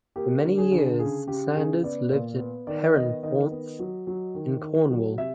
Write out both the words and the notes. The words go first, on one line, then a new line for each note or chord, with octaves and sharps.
For many years Sanders lived at Perranporth in Cornwall.
A#3 G4
D3
G#4
D3
C#3 G#4
C#3 G4
C#3 G#4
B3 D5
A#2
B3
D#3 D5
B3 D#5
D#3 D#5
B3
F#3
F#3
D#3
D#3
F#3
C3 E5